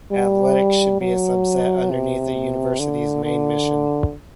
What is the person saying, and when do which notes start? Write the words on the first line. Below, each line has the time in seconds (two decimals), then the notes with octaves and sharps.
Athletics should be a subset underneath a university's main mission...
0.11 G3
1.01 F#3
1.91 C3
2.79 D3
3.24 D3